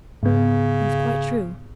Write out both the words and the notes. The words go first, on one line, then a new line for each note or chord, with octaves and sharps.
It was quite true.
G#2 C#3 B3